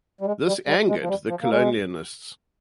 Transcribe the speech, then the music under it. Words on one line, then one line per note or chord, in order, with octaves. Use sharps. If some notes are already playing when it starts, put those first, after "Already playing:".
This angered the colonists.
G3
G#3
G3
G3
G#3
F3
G3
F3
A#3
G#3